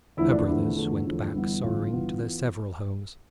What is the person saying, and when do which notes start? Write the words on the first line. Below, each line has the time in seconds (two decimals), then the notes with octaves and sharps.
Her brothers went back sorrowing to their several homes.
0.17 E2 D3 F3 A3 E4
0.32 D4
0.46 E2 D3 F3 A3 E4
0.76 E2 D3 F3 A3
1.05 E2 D3 F3 A3
1.34 G1 G2 E3 B3
1.63 G1 G2 E3 B3 F4
1.93 G1 G2 E3 B3
2.23 E3 B3